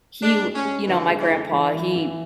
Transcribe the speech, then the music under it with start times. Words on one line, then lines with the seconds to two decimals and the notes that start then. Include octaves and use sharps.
he, w you know, my grandpa, he
0.22 G#3 D4
0.44 G#3
0.55 C#4
0.65 G#3
0.87 D3 E3
1.10 G#3
1.20 E3
1.31 A4
1.52 E3
1.74 E3
1.96 E3